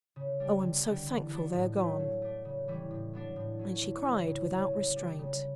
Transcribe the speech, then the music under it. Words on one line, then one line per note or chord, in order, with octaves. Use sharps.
Oh, I am so thankful they are gone!' And she cried without restraint.
C#3
G3 D4
D3
G3 B3 D4
E3
B3 D4
A2
F#3 A3
F#3
A3 D4
C#3
E3 G3 C#4 E4
A2
F#3 B3 D4
A2
F#3 C#4 E4
D3
G3 C#4 E4
C#3
F#3 C#4
C#3
G3 D4
C#3